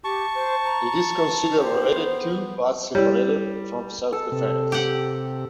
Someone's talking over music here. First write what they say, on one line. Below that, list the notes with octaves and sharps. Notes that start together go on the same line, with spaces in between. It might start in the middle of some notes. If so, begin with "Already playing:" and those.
It is considered related to but separate from self-defence.
G4 A5 C#6
C5
A#5
G4 C5
B3
G3 E4 C#5
A4
C3
G4 F#5